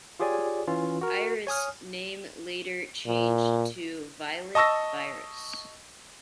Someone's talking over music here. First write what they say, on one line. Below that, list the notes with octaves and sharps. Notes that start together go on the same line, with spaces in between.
Iris' name later changed to Violet Virus.
F4 G4 G#4 C#5 D5 G#5
E3 C#4 F4
F#4 A#4
C#5 G#5 D#6 F6
A#2
D#5 A5 C#6 E6 A#6